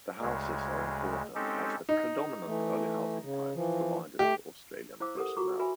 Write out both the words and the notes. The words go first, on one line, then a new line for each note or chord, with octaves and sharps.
The houses are important as the predominant early housing type provided for Australian personnel.
D2 C#3 G#3
G#3 C4 C#4 D#4 G4 A4
D#4
E3 A3
C#3
E3 F3
A3 G4
E4 C5 F5 D6 E6
G4 A4 A#4 F#5 D#6
F4 F#4 A#5 C#6 D6
F#4 B4 E5 G#5 B5